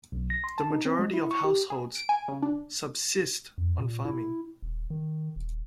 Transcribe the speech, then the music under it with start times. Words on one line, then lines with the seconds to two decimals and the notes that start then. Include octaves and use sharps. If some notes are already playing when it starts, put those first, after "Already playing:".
The majority of households subsist on farming.
0.12 B1
0.30 A#6
0.44 C6
0.58 A5
0.71 D#4
0.85 C4
0.99 G#3
1.14 E4
1.31 C#6
1.44 G4
1.70 G#4
1.95 D7
2.09 G#5
2.28 C#3
2.42 D4
3.58 F2
3.78 A#2
4.05 E4
4.62 D#1
4.90 D#3
5.36 D#1